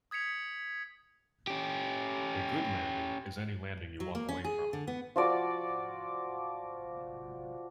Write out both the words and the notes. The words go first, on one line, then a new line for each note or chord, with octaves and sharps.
A good landing is any landing you walk away from.
D#6 G#6 B6 C#7 F7
C#4 G4
F#3
A#3
C#4
G#4
D3
B3
F3 F#4 D5